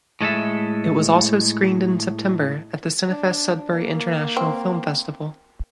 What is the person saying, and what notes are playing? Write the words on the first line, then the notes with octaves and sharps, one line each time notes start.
It was also screened in September at the Cinefest Sudbury International Film Festival.
A2 G#3 A4 E5
D4
A#3
C4